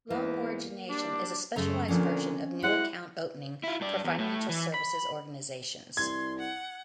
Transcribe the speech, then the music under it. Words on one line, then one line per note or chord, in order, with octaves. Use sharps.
Loan origination is a specialized version of new account opening for financial services organizations.
E2 G#2 E3 A#3
G3 D4
F#2 C#3 G#3 A3 A#5
A#2 D3 F3 C4 C#4
G#3 C4 E4 F#4 G4 F#5
E4 F4
G2 D5
E2
A2 A3
E3
B5
C2 C6 G#6
F#5